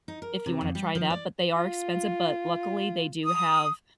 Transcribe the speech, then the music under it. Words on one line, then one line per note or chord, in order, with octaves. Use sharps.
if you wanna try that, but they are expensive, but luckily, they do have,
D#4
A#4
C3
F2
G3
F3
D5
F4
D#6